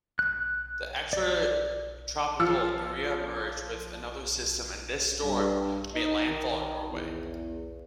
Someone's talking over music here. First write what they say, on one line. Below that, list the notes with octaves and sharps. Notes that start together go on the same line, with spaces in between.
The extratropical Maria merged with another system and this storm made landfall in Norway.
F#6
D5
F3 F4 E6 C#7
G2
D#4
D#3
E2